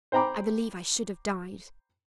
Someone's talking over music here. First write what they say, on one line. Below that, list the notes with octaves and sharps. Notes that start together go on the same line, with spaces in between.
I believe I should have died.
C5 G5 A#5 B5 D6